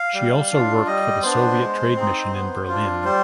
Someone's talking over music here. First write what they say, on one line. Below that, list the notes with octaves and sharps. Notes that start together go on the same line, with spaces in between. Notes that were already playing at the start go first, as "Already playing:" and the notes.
She also worked for the Soviet Trade Mission in Berlin.
Already playing: F5
G3
D4 F4
G3 D#5
B3 D4 C5
G#3
C4 D#4
B3
D4 F4
G3 C5